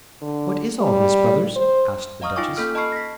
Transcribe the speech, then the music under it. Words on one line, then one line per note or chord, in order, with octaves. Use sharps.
"What is all this, brothers?" asked the duchess.
D3
G3
C5
D#5 F5 A#5 C#6 D#6 F6
D#4 F4 G5 G#5 C#6 D6
A#3 C#4 A4 F6
D#5 A5 B5 C#6 F6 C7
A#6 B6